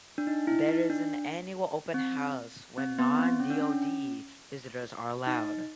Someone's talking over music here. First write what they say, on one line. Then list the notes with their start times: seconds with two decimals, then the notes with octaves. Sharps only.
There is an annual open house when non-DoD visitors are allowed.
0.18 D4
0.27 D#4
0.47 E4
0.68 D#4
0.90 D4
1.94 C4
2.78 C4
2.99 B3
3.19 C4
3.40 C#4
3.50 D4
3.61 C#4
5.27 D#4